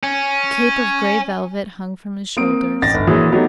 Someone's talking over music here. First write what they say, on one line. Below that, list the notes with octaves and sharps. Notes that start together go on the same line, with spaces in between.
A cape of gray velvet hung from his shoulders.
C#4
A#3 C4 D#6 D7
A1 A6 A#6
G1
A#2 E3 F#3 G#4 D#6
F#3 A3 B3 D#4 G4